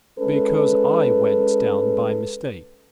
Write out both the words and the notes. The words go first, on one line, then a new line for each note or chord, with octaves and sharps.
"Because I went down by mistake."
G#3 C#4 A4 B4